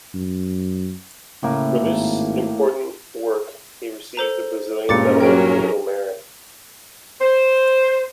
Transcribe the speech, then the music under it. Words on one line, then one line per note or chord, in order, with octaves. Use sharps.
For this important work he received the Brazilian Medal of Naval Merit.
F#2
A2 C#3 A#3
G#1
A4 C5 A#5
G2 A#2 G#3 C#4 A#4 D6 A6 C#7
F#3 G4 G5 D7
C5